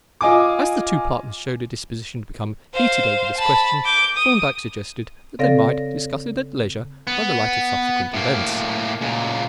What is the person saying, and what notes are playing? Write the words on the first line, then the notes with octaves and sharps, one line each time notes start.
As the two partners showed a disposition to become heated over this question, Thorndyke suggested that they might discuss it at leisure by the light of subsequent events.
F4 D#5 G#5 D6
C5 F5
A5 B5
D6 G6
D#6
C#3 C4 A4 D5 F5 A#6
B3
A2 A#3
C#2 A#2